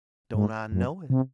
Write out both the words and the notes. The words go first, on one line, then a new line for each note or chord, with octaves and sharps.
Don't I know it!
G#2
F#2
C3